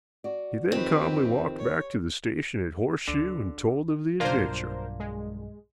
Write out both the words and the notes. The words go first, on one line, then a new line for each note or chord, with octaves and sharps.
He then calmly walked back to the station at Horseshoe and told of the adventure.
F#4 D5
F2 D#3 C4 G4 B4
C#5
D2 D3
B1 G2 A#3 D4 F4 A#4 C5
G#3